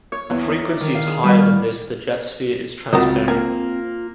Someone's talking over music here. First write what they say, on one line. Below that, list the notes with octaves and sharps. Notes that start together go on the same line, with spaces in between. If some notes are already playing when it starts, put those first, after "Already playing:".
At frequencies higher than this the jet sphere is transparent.
C#5
E2
D#4
D5
D#3
F5
G#4
G3
F6
C#2 C4 F4 F#4 A#4 D#5
A#3 G#5